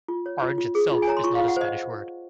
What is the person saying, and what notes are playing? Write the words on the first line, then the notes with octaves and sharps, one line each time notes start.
"Orange" itself is not a Spanish word.
F4
C#5
F4
F4
G#4
F4
G#5
C#5 A#5
C6
F4 C#6
F5
F4
F#5
C5 D#5